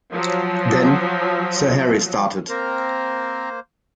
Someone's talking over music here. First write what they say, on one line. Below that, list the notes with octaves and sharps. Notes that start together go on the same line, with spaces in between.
Then Sir Harry started.
F3 F#3
A#3 C4 A#4 C5